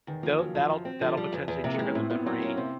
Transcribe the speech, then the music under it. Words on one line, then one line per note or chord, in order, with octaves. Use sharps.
though that'll that'll potentially trigger the memory,
E2 D#3
F3 A#3
C#3 F#3
F3 F#3
F#2
C4
D3 F3
G3
E2
E2
C3 A#3
G#3
E3
C#4
A2 C4
A2 B3
F#3 C4
A#3 C#4
C3 C4